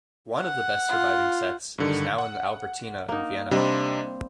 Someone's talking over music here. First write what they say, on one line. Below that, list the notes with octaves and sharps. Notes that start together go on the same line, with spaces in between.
One of the best surviving sets is now in the Albertina in Vienna.
F#5
F4
G2 D3 D#3
F#5
A#3 D#4
C3 G3 C4 D4 D#5